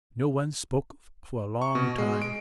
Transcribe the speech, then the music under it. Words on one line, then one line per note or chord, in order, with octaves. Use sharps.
No one spoke for a long time.
C#6
B2
G#3
D7